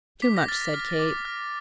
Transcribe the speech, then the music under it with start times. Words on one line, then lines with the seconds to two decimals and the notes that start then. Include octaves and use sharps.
"Too much!" said Kate.
0.22 D6 B6
0.37 A#6
0.48 F6 A6
0.62 A#6
0.74 F6
0.99 D6
1.25 F6